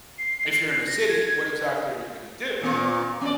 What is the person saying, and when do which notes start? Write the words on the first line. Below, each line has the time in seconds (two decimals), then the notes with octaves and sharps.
If you're in a city, what exactly are you gonna do?
0.18 C7
0.87 A#6
1.08 G#6
2.62 A#2 B3 F4
3.21 C#4 D5